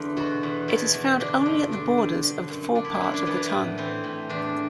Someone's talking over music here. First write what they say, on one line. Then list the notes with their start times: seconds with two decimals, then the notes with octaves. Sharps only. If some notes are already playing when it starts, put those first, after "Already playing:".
It is found only at the borders of the forepart of the tongue.
Already playing: E2 D3
0.17 B2 F#4
0.43 E2
0.68 B2 E4
0.94 E2
1.20 D3 D4
1.46 G2
1.71 D3 D4
1.97 G2
2.23 D3
2.49 F#2
2.75 D3 D4
2.85 E4
2.95 D4
3.01 F#2 E4
3.14 D4
3.27 E3 B3
3.52 A2
3.78 E3 C4
4.04 A2
4.29 E2 D4